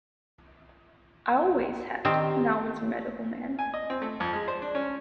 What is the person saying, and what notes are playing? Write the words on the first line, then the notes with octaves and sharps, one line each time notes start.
I always had, when I was a medical man.
D#3 C4 D4 G4
G#5
D#5
C4
A3
F2
G#3
C5
D4
C#4